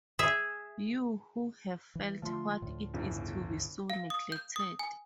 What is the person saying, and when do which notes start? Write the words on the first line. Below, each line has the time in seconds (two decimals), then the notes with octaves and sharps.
You who have felt what it is to be so neglected!
0.19 G#4 E5
1.95 E3
2.22 D3 F3 A3 C6
2.62 D2 A2
2.94 G1 E2 C#3
3.90 F5
4.10 D#6
4.32 G6
4.56 D#6
4.79 G#5